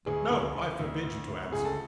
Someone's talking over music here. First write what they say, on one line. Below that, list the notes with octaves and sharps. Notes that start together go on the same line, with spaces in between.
But no. I forbid you to answer.
D2 G#4
D2
D2
D2
D2
D2
C#2 G#4
A4